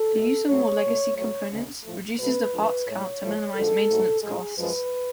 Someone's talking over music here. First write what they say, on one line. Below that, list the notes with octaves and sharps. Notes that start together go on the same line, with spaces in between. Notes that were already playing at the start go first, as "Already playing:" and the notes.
The use of more legacy components reduces the parts count to minimise maintenance costs.
Already playing: A4
B2 A3
G#2 F#3 A3 C#5
B2 A3
G#2 F#3 A3 C#5
D2 C#3 G#3
A2 F3 A3
B2 F#3 A3 B4
D2 D3 F3
A2 G#3 C#5
A2 F3 A3
F#2 D3 F3 G#3 A4
G#2 F#3 A3
A2 F3 G#3 G#4
F#2 F3 G#3 B4